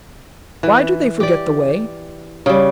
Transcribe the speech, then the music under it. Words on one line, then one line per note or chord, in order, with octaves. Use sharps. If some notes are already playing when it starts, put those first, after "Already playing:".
"Why do they forget the way?"
E3
G4 D5
C#3 G3